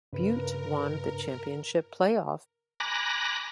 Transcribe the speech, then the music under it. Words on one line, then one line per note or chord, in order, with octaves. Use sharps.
Butte won the championship playoff.
G2 C#3 A#4 B4
G#5 A#5 B5 D6 F#6 A#6